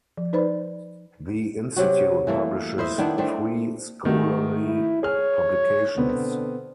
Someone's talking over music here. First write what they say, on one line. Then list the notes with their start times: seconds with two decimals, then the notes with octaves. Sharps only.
The institute publishes three scholarly publications.
0.17 F3
0.33 D#4 B4 C5 D5 B5
1.76 C3 F#3 F#4
2.27 E3 A3 A#3
2.78 E4 C5 D#5 E5
2.98 D#3 B3 D4 E4
3.18 A3 C4 D4
4.05 D#3 A3 F#4
4.64 E4
5.03 G#4 C#5 F6
5.96 B2 D3 B3 C4